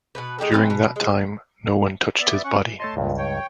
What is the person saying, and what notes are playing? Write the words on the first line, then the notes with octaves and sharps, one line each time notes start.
During that time, no one touched his body.
B2 B3 B4
G#3 D#4 G4 A4
E3 C4 A4 B4
B2
G#3
B3 D5 E5
C#4 F#5 C#6
E3
A3 C#5 D#5 A5 C6
C#2 G2 A#2
C#5 G5